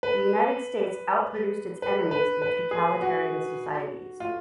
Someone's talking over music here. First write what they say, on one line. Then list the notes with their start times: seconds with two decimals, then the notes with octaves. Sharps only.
The United States out-produced its enemies in totalitarian societies.
0.03 B4
1.82 B4
2.11 B4
2.42 B4
2.71 G#4
3.02 F#4
4.20 F4